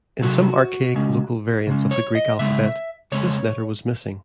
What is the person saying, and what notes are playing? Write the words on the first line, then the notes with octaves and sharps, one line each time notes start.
In some archaic local variants of the Greek alphabet, this letter was missing.
C3 F#3 C4 F#4
C#3 G#3 C#4
C#3 G#3 C#4
C#5
D#5
C#3 G#3 C4 E5
C#3 G#3 C4 C#5